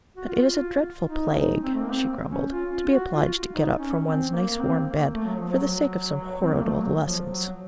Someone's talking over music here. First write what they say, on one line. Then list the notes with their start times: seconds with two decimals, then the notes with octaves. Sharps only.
"But it is a dreadful plague," she grumbled, "to be obliged to get up from one's nice warm bed, for the sake of some horrid old lessons!"
0.17 F#4
0.28 F4
1.08 D#4
1.31 C#4
1.36 D#4
1.63 C4
1.74 A3
1.82 A#3
1.90 C4
2.30 C#4
2.51 F4
2.70 F4
2.90 F#4
3.12 F4
3.52 D#4
3.79 C#4
4.06 C4
4.32 A#3
4.50 A#3
4.60 C4
4.87 A#3
5.13 A3
5.25 F#3
5.38 F3
5.50 F#3
6.42 C4
6.53 A#3
6.64 A3
6.76 F#3
7.02 F3
7.30 F#3